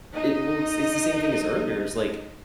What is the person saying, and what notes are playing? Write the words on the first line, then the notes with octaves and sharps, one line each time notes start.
It well, it's it's the same thing as earlier, is like,
D#4 D#5